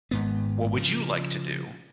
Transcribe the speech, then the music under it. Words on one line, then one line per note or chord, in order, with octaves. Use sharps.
What would you like to do?
G#1 G#2 B3
C#3 F3